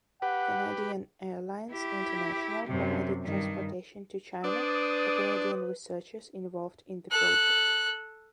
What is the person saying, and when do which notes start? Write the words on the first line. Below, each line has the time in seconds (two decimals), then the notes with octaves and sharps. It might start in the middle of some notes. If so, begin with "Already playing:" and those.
Canadian Airlines International provided transportation to China for Canadian researchers involved in the project.
0.22 G4 B4 F#5
1.71 E4 G4
2.67 F#2 C3
3.23 G2 D#3
4.44 D4 B4 C5 D5 D#6
7.10 A4 F#6